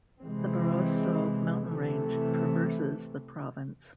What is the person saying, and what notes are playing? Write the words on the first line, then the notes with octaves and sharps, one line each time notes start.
The Barroso mountain range traverses the province.
C3 E3 G#3 C4
C3 E3 A3